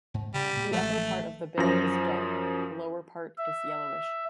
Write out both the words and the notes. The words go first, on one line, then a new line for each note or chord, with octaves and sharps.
The upper part of the bill is dark, the lower part is yellowish.
G#2
C#3 G3
A#2
A1 F3 G#3 A3
F#2 F3 A#6
E5